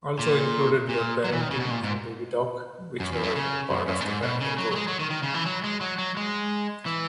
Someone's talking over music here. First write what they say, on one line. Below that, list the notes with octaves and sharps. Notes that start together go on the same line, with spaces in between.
Also included were "Parenting" and "Babytalk", which were part of the Parenting Group.
A#2
A#2
F#3
E3
D#3
C#3
B2
A#2
G#2
F#2
E2
F#2
C#3
F#2
F#2
A#2
G#2
B2
C#3
F#3
F#3
G#3
F#3
D#3
D#3
C#3
E3
F#3
G#3
F#3
F#3
G#3
E3